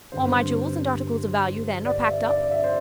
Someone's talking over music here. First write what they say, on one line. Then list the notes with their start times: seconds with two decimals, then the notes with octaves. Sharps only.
"All my jewels and articles of value, then, are packed up?"
0.12 G2 D3 G3 C4 C5
1.85 D5
2.08 E5
2.29 D5
2.51 E5
2.64 C5